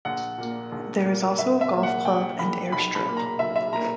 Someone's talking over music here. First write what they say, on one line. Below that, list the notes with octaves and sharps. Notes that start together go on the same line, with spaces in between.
There is also a golf club and air strip.
A#1 F#5
A#2 A#3
A#1
A#2 A#3
A#1 E5
E5
A#2 A#3
F#5
A#1 G5
A#2 A#3 B5
B1 B5
B5
A#2 A#3
A#5
B1 E5
E5
A#2 A#3 A#5